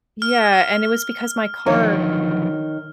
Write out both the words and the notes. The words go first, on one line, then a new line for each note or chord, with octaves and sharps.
Yeah, and it was because my car
F6
D3 D#3 F3 F#3 C#5